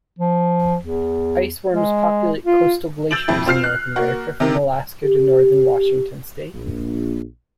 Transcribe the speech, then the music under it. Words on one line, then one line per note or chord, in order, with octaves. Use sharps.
Ice worms populate coastal glaciers in North America from Alaska to northern Washington state.
F3
E2
G#3
F4
E6 G6 A6 D7 F#7
F2 E4
C4 F4 F6 C7
F#6
A#3 F#4
C3 D#3
G4
A#1